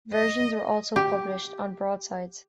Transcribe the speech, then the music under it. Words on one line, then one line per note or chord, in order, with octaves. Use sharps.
Versions were also published on broadsides.
D#5
G4